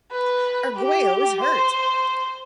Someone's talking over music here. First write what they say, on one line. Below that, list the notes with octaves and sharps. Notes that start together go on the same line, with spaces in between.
Arguello is hurt!!
B4
G4
C5